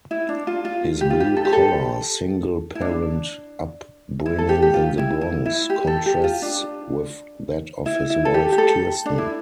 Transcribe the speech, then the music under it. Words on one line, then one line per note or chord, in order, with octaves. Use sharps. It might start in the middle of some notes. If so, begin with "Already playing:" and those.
His blue-collar, single-parent upbringing in The Bronx contrasts with that of his wife Kirsten.
E4
D4
F4
F4
G4
F4
G4
A4
G4
A4
E4
D4
E4
A4
G4
G4
F4
E4
E4
E4
G4
A4
G4
F4
D4
E4
E4
A4
G4
G4
A4
D4
E4